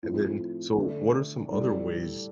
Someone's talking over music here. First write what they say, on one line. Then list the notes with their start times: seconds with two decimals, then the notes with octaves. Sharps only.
And, then, so what are some other ways,
0.03 A2 F3 A3 C4
0.77 D3 A3 D4 A4
1.50 A2 G3 D4 A4